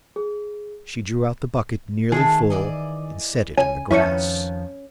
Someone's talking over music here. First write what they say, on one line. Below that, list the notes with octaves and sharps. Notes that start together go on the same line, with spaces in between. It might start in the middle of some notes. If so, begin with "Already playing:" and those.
She drew out the bucket nearly full, and set it on the grass.
G#4
D#3 G#3 A3 G#4 A4
E3 D5 D#5
C#3 C#4 G#5
F2 D#3 F3 B3 C#4 E4 C#5 C#6